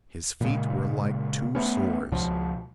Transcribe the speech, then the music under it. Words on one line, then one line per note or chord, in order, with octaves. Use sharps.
His feet were like two sores.
A#2 C#3 G#3
A3 B3 C#4
C#2 B2 F3